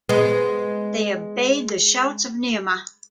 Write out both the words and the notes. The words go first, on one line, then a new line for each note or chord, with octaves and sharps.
They obeyed the shouts of Niamh.
G#3 B3